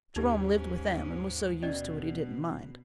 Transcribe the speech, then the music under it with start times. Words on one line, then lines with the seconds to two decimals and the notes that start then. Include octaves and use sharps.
Jerome lived with them and was so used to it he didn't mind.
0.16 D#2 G#2 C#4 D#4 G4
1.63 B2 C#4 D5 D#5